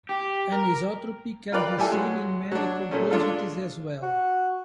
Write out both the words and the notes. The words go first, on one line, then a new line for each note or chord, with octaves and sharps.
Anisotropy can be seen in many composites as well.
G4
A#4
F4 A#4 B4 D5 F5 G5
G3 E4 G4 A4 G#5
F#3 G#3
F#3 D4
A#2 A3 C#4
G#3 D4 F4 A4
F#4